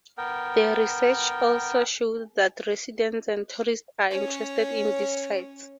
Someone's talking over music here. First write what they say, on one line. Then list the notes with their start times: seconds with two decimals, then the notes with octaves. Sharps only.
The research also showed that residents and tourists are interested in these sites.
0.18 B3 A#4 G5
4.11 C#4 C#5